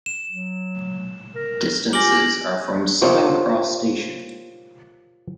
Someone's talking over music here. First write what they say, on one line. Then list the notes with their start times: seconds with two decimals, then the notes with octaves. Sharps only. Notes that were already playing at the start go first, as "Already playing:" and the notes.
Distances are from Southern Cross station.
0.06 E7
0.30 F#3
1.35 A#4
1.93 F4 G4 G#5 D6 A#6 F#7
3.02 F4 G4 A#4 C5 C#5 D#5